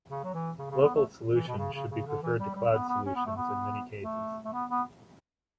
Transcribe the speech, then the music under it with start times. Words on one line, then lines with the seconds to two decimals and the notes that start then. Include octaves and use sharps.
Local solutions should be preferred to cloud solutions in many cases.
0.10 C#3
0.24 F#3
0.34 E3
0.59 C#3
0.70 C#3
0.83 B3
0.95 A3
1.33 E3
1.47 B2
1.58 C#3
1.73 C#3
1.90 C#3
2.07 D3
2.23 E3
2.39 G3
2.55 G3
2.73 B3
2.89 B3
3.06 C#4
3.15 B3
3.26 A3
3.36 B3
4.04 A3
4.45 A3
4.53 B3
4.70 B3